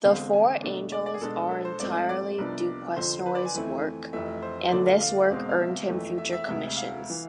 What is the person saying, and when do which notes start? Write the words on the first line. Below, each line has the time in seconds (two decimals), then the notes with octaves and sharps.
The four angels are entirely Duquesnoy's work, and this work earned him future commissions.
0.05 E1 E2 D3 G#3 C4 F5
0.33 G#5
0.63 B2 A3 D4
0.92 D5
1.06 D5
1.14 G#4
1.21 B2 G#3 D4 A4
1.51 A4
1.65 C5
1.80 G#2 F3 A3 C4 D5
2.09 D5
2.38 C2 C3 F3 B3 D4
2.96 F2 D3 F3 C5
3.26 B4
3.35 D5
3.45 G#5
3.54 F2 E3 A3 C4 E4
4.13 F1 F2 E3 A3 E5
4.42 C5
4.64 C5
4.72 E2 D3 F3 A3 D5
4.86 F5
5.01 F5
5.30 E1 E2 B2 G#3 C4
5.49 F5
5.60 E5
5.89 F2 E3 A3
6.18 E5
6.33 E5
6.47 D2 C3 G#3 E5
6.77 F5
7.10 E3